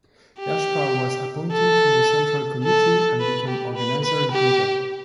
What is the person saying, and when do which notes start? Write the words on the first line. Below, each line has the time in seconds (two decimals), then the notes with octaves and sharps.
Yashpal was appointed to the central committee and became organiser in Punjab.
0.40 G4
1.52 A4
2.64 A4
3.20 B4
3.48 G4
3.76 B4
4.04 B4
4.32 G4